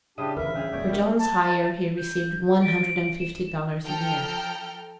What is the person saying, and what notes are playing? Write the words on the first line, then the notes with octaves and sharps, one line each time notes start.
For John's hire he received one hundred and fifty dollars a year.
C#3 D4 E4 G4 C5 D#6
A1 D2 A#4 B4 E5 F5
C#3 G#4 F5 G5
E1 B3 C#5 D5
G3 A#4
A5
G6
D7
E7
F3 A4 G5 A#5 F6